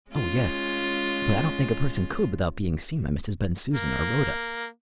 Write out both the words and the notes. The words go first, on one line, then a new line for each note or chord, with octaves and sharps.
"Oh, yes; but I don't think a person could without being seen by Mrs. Bensusan or Rhoda."
G#3 C#4 F4
A#3